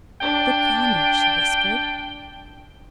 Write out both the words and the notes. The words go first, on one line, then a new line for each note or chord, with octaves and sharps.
"Look yonder," she whispered.
D4 G5